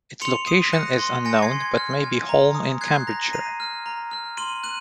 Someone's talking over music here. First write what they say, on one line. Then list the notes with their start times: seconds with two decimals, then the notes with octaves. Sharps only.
Its location is unknown but may be Holme in Cambridgeshire.
0.21 C6 C#7 F7
0.47 D#6 C7 D#7
0.73 F#6 A#6 C#7
0.99 C6
1.25 G#5 A#6 C#7
1.42 G#6 C7
1.51 C6
1.60 G#6
1.77 F6
2.03 G#5
2.29 A#5
2.55 D#6
2.81 F#6 G#6 C7
3.07 A#5 A#6
3.33 A#5 C7 D#7
3.60 F6
3.86 A#5
4.11 F6
4.37 C6 D#7 F#7
4.63 F#6 D#7 F#7